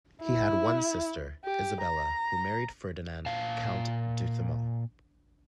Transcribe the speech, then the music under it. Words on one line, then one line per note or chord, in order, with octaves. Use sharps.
He had one sister, Isabella, who married Ferdinand, count d’Outhement.
E4
G4
A#5
A#2 F5 A5